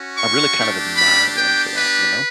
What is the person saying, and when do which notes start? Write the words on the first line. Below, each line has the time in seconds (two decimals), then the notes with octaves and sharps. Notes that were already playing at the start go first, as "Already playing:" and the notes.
I really kind of admire them for that, you know?
Already playing: C#4 F#4
0.16 C#6
0.56 A3 D4 G4
0.96 B5
1.36 B3 D4 G4 G5
1.77 B4